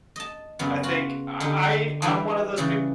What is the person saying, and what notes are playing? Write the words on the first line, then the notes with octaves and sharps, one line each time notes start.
I think I I I'm one of those people
D#5 A5
F#2 C#3 B3
F4 F#4
D3 D#4 G4
G2 E3 D4 E4 E5 A5
C#3 E3 G3